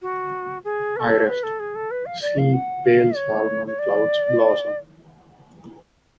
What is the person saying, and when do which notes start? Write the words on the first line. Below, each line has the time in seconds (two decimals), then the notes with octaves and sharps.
I rest: see pale salmon clouds blossom.
0.02 F#4
0.65 G#4
0.96 B4
1.00 A4
1.28 B4
1.43 A4
1.60 G#4
1.75 A4
1.91 B4
2.06 F5
2.22 D5
2.38 F5
2.54 F#5
2.85 F5
3.16 C#5
3.67 C#5
3.79 D5